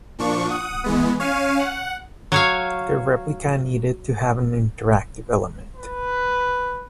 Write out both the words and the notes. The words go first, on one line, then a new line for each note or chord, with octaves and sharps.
The replica needed to have an interactive element.
A#2 F3 D4 C#6
F#5 D#6
E3 G#3 B3
C#4 C#5 F5 F6 D#7
F#5
F#3 C#5 F5
B4